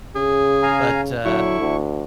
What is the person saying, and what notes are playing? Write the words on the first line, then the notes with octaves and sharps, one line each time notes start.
but, uh
C#3 G#4
F5 G#5 A#5
D3 F#3 E4 C#6
D2